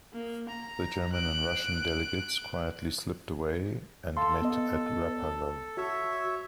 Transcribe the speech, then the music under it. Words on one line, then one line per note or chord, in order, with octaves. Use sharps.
The German and Russian delegates quietly slipped away and met at Rapallo.
A#3
A#5
F#6 D7
A4 F5 C6
B3 D#5
F#4 C#5 E5 E6